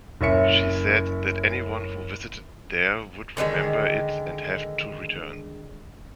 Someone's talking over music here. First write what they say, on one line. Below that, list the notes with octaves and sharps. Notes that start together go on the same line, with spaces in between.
She said that anyone who visited there would remember it and have to return.
F#1 C#4 E5 C#7
D3 D#3 F#3 G#3